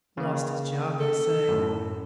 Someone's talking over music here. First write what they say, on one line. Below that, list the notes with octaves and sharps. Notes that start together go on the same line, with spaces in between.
Lost his job, they say.
C#3 A#3
A4
F#2 A2